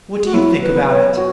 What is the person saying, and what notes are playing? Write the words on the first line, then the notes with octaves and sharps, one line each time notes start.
"What do you think about it?"
G#4
F#4
F#3 E4
B4
B3
C#5
F#4